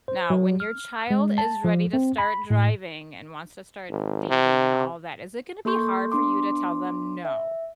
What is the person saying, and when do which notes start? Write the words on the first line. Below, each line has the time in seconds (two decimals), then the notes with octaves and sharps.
Now, when your child is ready to start driving and wants to start dating and all that, is it gonna be hard for you to tell them "no?"
0.08 C5
0.30 F#3
0.60 F6
1.11 G#3
1.38 A5
1.64 F3
1.93 C4
2.18 B5
2.50 A2
3.90 G#1
4.29 C3
5.65 A#3 A4 C6 C#6 G6
6.12 B3 D4 C6 D6
7.25 E5